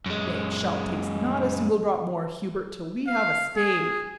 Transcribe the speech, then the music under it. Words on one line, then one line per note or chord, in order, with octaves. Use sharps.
Nay, shalt taste not a single drop more, Hubert, till we have a stave.
F#2 G#3
F5
G#4